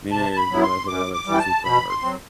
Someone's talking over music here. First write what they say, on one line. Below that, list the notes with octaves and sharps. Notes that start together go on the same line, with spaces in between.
Many areas were left without electricity for hours.
C3 A5
A5
B5
F#3 B3 E4
C6
F#2 D6
D6
E3 G3
G5
A5
B2 B5
C6
F#3 C4